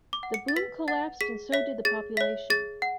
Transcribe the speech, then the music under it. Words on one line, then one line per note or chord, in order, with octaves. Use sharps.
The boom collapsed and so did the population.
D6
F#5
C#7
A6
B4 B6
F#5 A6
G#4 B6
C#5 E5 B6
G#4 A6
C#5 E5 B6
G#4 A6
F#5